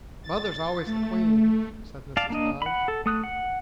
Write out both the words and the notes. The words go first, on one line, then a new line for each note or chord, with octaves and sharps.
"Mother's always the queen," said Mrs. Todd.
A6
A3
D5 F5 A5
A#3 D4 D#5
F#5 B5
A4
A3 D#6 F#6
F#5